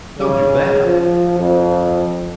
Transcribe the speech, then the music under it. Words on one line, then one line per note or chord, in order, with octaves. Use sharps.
"Don't do that!"
C#3
F3
F2